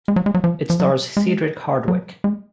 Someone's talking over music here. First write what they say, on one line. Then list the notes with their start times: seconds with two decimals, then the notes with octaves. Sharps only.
It stars Cedric Hardwicke.
0.08 G#3
0.16 F#3
0.26 G#3
0.34 F#3
0.44 F3
0.70 F3
0.80 F#3
1.17 G#3
1.88 F#3
2.24 G#3